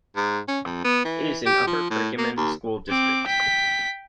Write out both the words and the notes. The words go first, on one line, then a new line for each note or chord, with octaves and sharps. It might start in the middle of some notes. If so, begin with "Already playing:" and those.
It is in Upper Perkiomen School District.
G#2
C#4
F2
B3
E3
G4
F3
A2
A#3
D#2
C4 D6
G5 B6